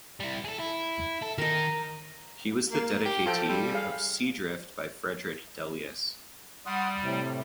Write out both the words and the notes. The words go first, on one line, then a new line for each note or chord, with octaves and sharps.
He was the dedicatee of "Sea Drift" by Frederick Delius.
G3 E4
G#4 A4
E4
A4
D#3 A#4 D#5
A#3
G4
F3 F4 A4 G5
G3
G#4 F5
G3 F#5 C6 D#6
A2 C3